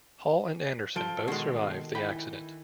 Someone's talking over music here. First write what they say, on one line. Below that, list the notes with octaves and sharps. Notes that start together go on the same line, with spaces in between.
Hall and Anderson both survived the accident.
F3 A4 D7 G7
B2 D#3 G#3 A4 C7
E3 G5 B5